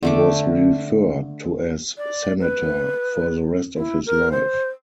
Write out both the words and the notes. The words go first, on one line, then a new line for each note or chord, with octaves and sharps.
He was referred to as "Senator" for the rest of his life.
D3 A3 D6
D5
B4
E4
A#4
C5